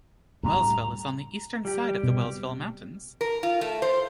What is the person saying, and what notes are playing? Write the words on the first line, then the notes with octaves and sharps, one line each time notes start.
Wellsville is on the Eastern side of the Wellsville Mountains.
D2 A2 G3 A#5
G3 G4
B2
A#4
F4
A3
C5